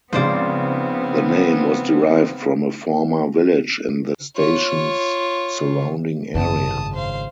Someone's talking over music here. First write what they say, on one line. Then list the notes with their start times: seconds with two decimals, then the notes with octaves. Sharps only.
The name was derived from a former village in the station's surrounding area.
0.13 G#2 C#3 F3 B3 C4 C5 D5
4.36 F4 C#5
6.35 G#1 F#2 C#3 C#4 A5 D#6
6.94 C5 F5